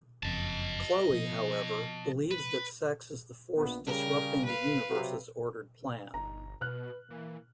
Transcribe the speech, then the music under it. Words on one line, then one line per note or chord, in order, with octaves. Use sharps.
Chloe, however, believes that sex is the force disrupting the universe's ordered plan.
F#1 F2 D#5 A5
B2 F3
B4
A#1 B3
C#3 G3 A#4
B4 F5
C3 F#3
G1 D#4 A#5
B2 B4 F6 F#6
E3 A#3